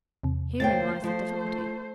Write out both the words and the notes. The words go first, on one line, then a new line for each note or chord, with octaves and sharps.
Herein lies the difficulty.
E2 C3
D2 A#3 C5 C#5 G5 A6
F3 A3 C5